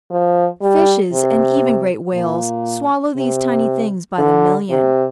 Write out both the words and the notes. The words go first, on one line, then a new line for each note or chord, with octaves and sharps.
Fishes, and even great whales, swallow these tiny things by the million.
F3
G3
C3
A#2
C3
D3
C3